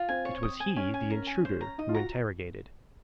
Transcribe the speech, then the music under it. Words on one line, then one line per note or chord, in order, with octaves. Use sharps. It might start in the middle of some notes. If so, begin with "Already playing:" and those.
It was he, the intruder, who interrogated.
Already playing: F4
C4 G#5
C#5
D#6
G#5
C#4 G#5
G#5
A#4
G#5
C5
A#5
D#4 D#5
F4
F#4 A#5